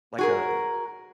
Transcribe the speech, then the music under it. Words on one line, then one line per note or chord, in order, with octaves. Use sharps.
like, a
F#4 G#4 A#4